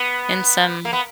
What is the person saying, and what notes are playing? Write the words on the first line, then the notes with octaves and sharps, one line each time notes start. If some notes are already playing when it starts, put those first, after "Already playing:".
and some
Already playing: B3
A#3
B3